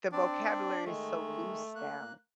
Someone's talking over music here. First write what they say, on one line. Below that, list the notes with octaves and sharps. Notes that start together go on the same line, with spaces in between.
the vocabulary is so loose now.
C4 D4
D#3 G#3 A3
A#3 F#6